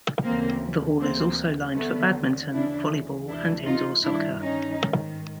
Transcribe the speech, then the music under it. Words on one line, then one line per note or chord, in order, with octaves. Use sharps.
The hall is also lined for badminton, volleyball and indoor soccer.
D2 C#3 E3 A#3 C4
D2 C3 E3 A#3 C4
D#2 D3 A3 B3
D2 C#3 E3 D4 E4
D2 C3 E3 D4 E4
D#4 F4
G2 D#3 D4 E4
C#4 D#4
G#2 D#3